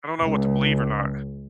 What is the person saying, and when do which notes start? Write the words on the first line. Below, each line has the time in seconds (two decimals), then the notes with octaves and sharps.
I don't know what to believe or not.
0.21 C#2